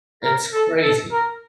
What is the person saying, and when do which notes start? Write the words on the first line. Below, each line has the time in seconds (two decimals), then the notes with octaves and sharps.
it's crazy.
0.24 A#4
0.53 A4
0.82 A4
1.11 A#4